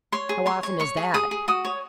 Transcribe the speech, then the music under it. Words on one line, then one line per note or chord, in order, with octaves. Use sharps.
"How often is that?"
C#5 C6
G#4
C#5 C6
C#5
C#5 C#6
G#4
G#4 D#6
G#4
F#4 D#6
C#5